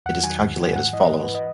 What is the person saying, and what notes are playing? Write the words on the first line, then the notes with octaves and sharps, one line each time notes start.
It is calculated as follows.
E2 F#5
D#3 F#3 G#5
E2
D#3 F#3
G#2 F#5
E3 D#5
G#2
B4
E3
D#5